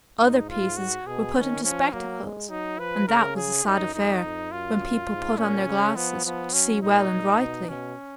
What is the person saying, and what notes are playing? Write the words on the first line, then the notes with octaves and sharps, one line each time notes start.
Other pieces were put in spectacles; and that was a sad affair when people put on their glasses to see well and rightly.
G#2 D#4
F4
F#4
B2 G#4
D#3 C#4
F3 C#4
F#3 A#3
G#3
F#3 D#4
F3 B4
C#3 A#4
G#4
F#2 D#4
F2 D#4
F2
F#2 F4
G#2
A#2 C#4
C#3
F3 B3
F3 B3
F#3 C#4
A#2 D#4
A#2
B2
B2 C#4